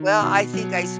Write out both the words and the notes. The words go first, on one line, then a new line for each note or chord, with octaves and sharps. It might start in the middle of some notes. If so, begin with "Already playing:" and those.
Well, I think I s
Already playing: D#3
B2
F#3